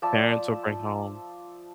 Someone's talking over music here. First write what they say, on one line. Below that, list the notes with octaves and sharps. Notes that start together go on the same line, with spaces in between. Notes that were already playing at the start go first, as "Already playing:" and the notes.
parents will bring home."
F3 D5 E5 A5